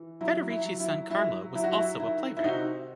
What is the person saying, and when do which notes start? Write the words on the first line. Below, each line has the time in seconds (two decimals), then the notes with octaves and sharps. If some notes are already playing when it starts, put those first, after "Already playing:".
Federici's son Carlo was also a playwright.
Already playing: E3
0.21 F#3 E4
0.50 E4
0.65 F#3
0.80 E4
1.10 F#3 E4
1.55 F#3 E4
1.64 F#4
1.73 E4
2.00 D#3 E4
2.37 E4
2.44 C3 D#4 F#4